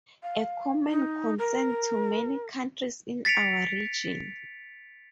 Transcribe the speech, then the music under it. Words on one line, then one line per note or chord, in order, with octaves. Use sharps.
A common concern to many countries in our region.
F5
D#4
A#4
A6 B6 C#7 D7 F7